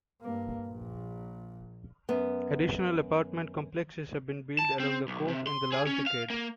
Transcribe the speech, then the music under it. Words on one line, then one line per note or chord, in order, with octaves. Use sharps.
Additional apartment complexes have been built along the cove in the last decade.
G2 A#3
A#1 A#2
F#2 B3
A5
C4
B1
C3
C6
G#4
C#4
F5
A#3